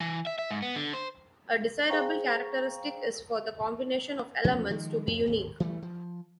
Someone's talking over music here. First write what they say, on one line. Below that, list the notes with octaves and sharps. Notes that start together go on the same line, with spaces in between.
A desirable characteristic is for the combination of elements to be unique.
E3
E5
E5
G#2
B3
D3
C5
G#4 C5 F5 G5 A#5 C#6
E2 F3 A3 C#4
D#3 F3 G#3
F2
D1 G#1
E3 G3 A3
F3